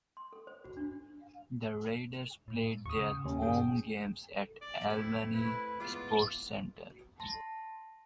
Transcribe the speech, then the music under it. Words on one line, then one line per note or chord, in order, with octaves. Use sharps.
The Raiders played their home games at Albany Sports Centre.
C6
A4
C5
F#4
D4
A2
D#2 C#6 D#6
C#3
D#2 C#4
G2 G#4 G5
D5
A3 C4 E4
E4 B4
E3 G#3 B3 F4 D6
A5 C6 A#6